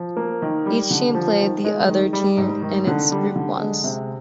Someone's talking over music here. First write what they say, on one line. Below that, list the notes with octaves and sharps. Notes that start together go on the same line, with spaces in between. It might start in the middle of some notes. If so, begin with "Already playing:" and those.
Each team played the other teams in its group once.
Already playing: F3
A#3
D#3
G3
D3
F3
D#3
G#3
D#3
G3
G#2
D#3
D3
G3
D3
G#3
C3